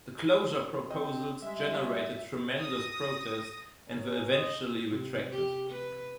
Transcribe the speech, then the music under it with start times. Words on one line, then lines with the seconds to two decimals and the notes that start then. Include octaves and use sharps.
The closure proposals generated tremendous protest and were eventually retracted.
0.91 C4 D#5
1.42 G3 G#3 E5
1.74 G4 D#5 F5
2.60 D#6 A#6
3.88 C#4 G#4 A#4
4.28 C5 D#5
4.90 C3
5.32 G4
5.71 B4